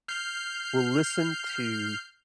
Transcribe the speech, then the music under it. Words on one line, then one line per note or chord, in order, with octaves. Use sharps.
will listen to
F6 G6 C7